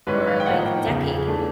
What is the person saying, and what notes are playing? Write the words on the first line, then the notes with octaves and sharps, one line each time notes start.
Or, like, decade?
G#2 D#3 G#3 C#4 E4 B4
F5
G5
A2 F3 A#3 D#4 F#5
G5
E2 C#3 F3
E3 A3 D4